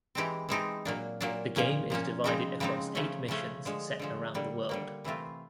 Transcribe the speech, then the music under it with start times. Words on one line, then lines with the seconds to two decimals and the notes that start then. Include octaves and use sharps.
The game is divided across eight missions set around the world.
0.15 E3 G#3 C4 D#4 G4
0.49 E3 G#3 C4 D#4 G4
0.85 A#2 F#3 A#3 D4
1.21 A#2 F#3 A#3 D4
1.56 A#2 F3 A#3 C#4
1.90 A#2 F3 A#3 C#4
2.24 C#3 F3 G#3 C4 D#4
2.60 C#3 F3 G#3 C4 D#4
2.95 C#3 F3 A3 C#4
3.28 C#3 F3 A3 C#4
3.65 D3 F3 G#3
4.00 D3 F3 G#3
4.34 D3 G3 A#3
4.69 D3 G3 A#3
5.04 C3 E3 A3 C4 F4